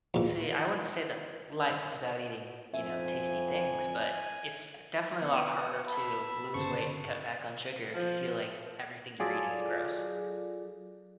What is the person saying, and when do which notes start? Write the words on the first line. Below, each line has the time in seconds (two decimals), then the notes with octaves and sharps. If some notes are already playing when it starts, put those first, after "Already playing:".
See, I wouldn't say that life is about eating, you know, tasty things, but it's, uh, definitely a lot harder to lose weight and cut back on sugar if you feel like everything you're eating is gross.
0.14 E2 A#2
2.74 F2 E5 G#5
5.20 B2 B3 F#5
5.87 E5 A5 B5
6.54 G1 C#3 C5 A5 C#6
7.94 F3
9.20 F#3 F4 G#4 A4 D5